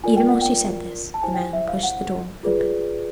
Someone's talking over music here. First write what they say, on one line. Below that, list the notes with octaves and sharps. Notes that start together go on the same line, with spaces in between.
Even while she said this, the man pushed the door open.
F4 A#4 D5 G#5
G5
F#5
G5
A5
E4 G4 C5 G#5
G5
G#5
E5
F5
F#5
F4 G#4 B4 D5